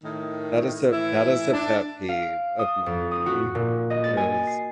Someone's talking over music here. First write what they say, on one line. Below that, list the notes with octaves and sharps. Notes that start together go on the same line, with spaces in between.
That is a that is a pet peeve of mine is
A2 D#3
A2 E3 E4
D4
F5
D7
D#6
F2
D#6
F#4
A#2
D#5
A6
G#5
C7